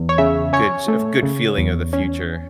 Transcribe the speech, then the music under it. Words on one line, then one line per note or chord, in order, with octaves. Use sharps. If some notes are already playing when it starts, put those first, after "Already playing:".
good ch a good feeling of the future.
Already playing: E2
C#5
C#3 E5
C#4 C#5
A3
C#3
E2
C#4